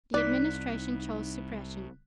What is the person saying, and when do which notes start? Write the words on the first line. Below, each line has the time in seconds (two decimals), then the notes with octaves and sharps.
The Administration chose suppression.
0.14 C2 D#4 D5 F#6 B6